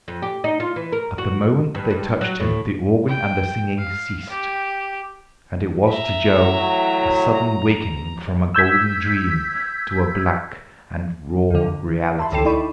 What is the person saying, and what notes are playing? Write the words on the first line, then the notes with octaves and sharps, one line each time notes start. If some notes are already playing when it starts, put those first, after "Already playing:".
At the moment that they touched him the organ and the singing ceased; and it was to Joe a sudden wakening from a golden dream to a black and raw reality.
F2
G4
D#4
F4
E3
A#4
F#4
G2
G2
F#3
A2
G5
F5
G4
E5 A#5
A2 E3 F#3
A#5
E6 G6 G#6 B6
E2 D3
E5 A5 B5 C6
C#2 D3 A4 G5 C7 E7
D#4 E4 D5 G5 B5 C#6